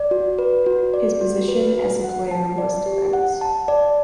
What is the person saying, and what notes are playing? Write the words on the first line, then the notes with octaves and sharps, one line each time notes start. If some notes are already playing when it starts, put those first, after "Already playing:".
His position as a player was defence.
Already playing: D5
F#4
B4
F#4
D5
F#4
B4
F#4
F#5
A5
D5
G4
F#5
A5
D5